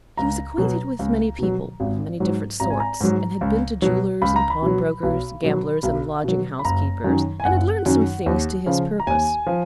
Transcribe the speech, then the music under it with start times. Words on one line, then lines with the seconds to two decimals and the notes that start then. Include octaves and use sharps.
He was acquainted with many people of many different sorts, and had been to jewelers and pawnbrokers, gamblers and lodging-house keepers, and had learned some things to his purpose.
0.17 C#2 A#5
0.58 B2 F#3
0.99 C#2
1.39 B2 F#3
1.80 G#1
2.20 G#2 F#3
2.60 G#1 A#5
2.70 G#5
2.80 A#5
3.01 G#2 F#3
3.41 C#2
3.82 B2 F#3
4.22 C#2 B5
4.36 A#5
4.50 B5
4.62 B2 F#3
5.03 B1
5.43 B2 F#3
5.83 B1
6.24 B2 F#3
6.59 B5
6.64 F#1 A#5
7.04 F#2 D#3 F#3
7.40 G#5
7.45 F#1 F#5
7.86 F#2 D#3 F#3
8.26 D#2
8.66 C#3 F3
9.00 A#5
9.07 D#2 G#5
9.47 F3